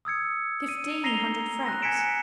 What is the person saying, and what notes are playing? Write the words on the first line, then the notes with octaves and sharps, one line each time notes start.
Fifteen hundred francs!
D#6 E6 G#6 C#7
D#7
A#5 A#6 C7 D#7 F7 G7
F#6 A#6
G#5 G#6 B6 C#7 D7 E7